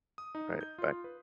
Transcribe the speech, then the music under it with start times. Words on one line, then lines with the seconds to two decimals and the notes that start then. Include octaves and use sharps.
Right, bye.
0.18 D#6
0.35 D#4
0.61 G6
0.78 F4
1.04 B4